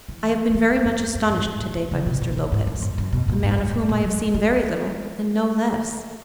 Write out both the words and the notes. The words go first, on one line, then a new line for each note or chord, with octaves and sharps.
I have been very much astonished to-day by Mr. Lopez,--a man of whom I have seen very little and know less.
E3
F#3
E3
F#2
F#2
G#2
G#2
A#2
A#2
C#3
B2
A#2
B2
G#2
F#2
F#2
F#2
B2
A#2
G#2
F#2
F#2
A#2
F#3
G#3